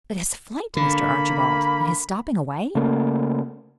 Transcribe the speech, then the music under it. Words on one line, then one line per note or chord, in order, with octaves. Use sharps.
"But his flight, Mr. Archibald, And his stopping away?"
D3 A#3 B5
C#3 A3 A#3